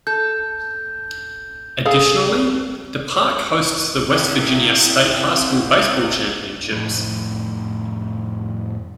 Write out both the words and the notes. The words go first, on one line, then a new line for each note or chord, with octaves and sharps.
Additionally, the park hosts the West Virginia state high school baseball championships.
A4 G6
G#4 A4 F5
C3 E4
F2 A2